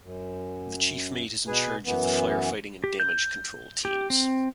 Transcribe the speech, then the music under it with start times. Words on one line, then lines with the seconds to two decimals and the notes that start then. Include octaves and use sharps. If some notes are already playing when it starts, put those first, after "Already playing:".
The Chief Mate is in charge of the firefighting and damage control teams.
0.02 F#2
1.48 B2 G#4 B4 G#5
1.86 F#2 E3 B3
2.84 G4
3.00 G6
3.85 G4
4.10 C4